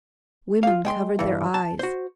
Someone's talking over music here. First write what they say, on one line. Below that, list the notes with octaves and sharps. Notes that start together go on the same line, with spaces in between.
Women covered their eyes.
F4 F5
G#3 G5 C6
G2 E3
A5
F#4 C5